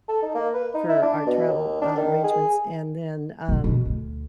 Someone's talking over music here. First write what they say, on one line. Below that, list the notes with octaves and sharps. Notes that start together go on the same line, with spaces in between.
for our travel, uh, arrangements, and then, um,
A4
D#4
A#3
B4
D#4
E4
D4
B2
D#2
D4
D#3
G#4
B2 A#3
B2
D2